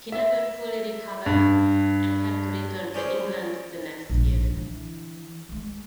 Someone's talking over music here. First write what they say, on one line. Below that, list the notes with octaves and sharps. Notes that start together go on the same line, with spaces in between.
He never fully recovered and had to return to England the next year.
E5
G2
C#4 D4 G4 G#4 C5
A#1 G#2
D3 E3
E3 G#3